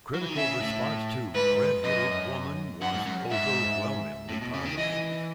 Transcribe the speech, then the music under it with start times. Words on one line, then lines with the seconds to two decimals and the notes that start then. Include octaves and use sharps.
Critical response to "Red-Headed Woman" was overwhelmingly positive.
0.14 F#3
0.21 E3
0.29 D#3
0.36 C#3 E5
0.61 A2
1.34 G#2 B4
1.84 F#2 D#5
2.81 F#2 F#5
2.94 G#2
3.06 F#2
3.31 G#2 E5
4.29 A2
4.41 B2
4.54 C#3
4.65 D#3
4.78 E3 D#5